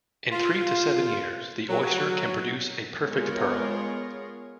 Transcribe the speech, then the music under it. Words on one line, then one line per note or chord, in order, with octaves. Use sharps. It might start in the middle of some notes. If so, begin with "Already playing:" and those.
In three to seven years, the oyster can produce a perfect pearl.
F4
F#3
G#3 B3 F4 G#4 A#4 C#5